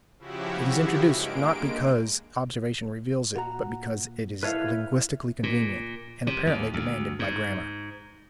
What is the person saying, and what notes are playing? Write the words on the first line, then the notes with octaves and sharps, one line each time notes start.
It is introduced, not because observation reveals it, but because it is linguistically convenient and apparently demanded by grammar.
C#3 F3 E4 F#4 G4
G2 G#3 A#3 D7
A#2 F#4 A#5
E4 A4 B4 C#5 E5 F5
A#2
C3
D#2
D2
G#2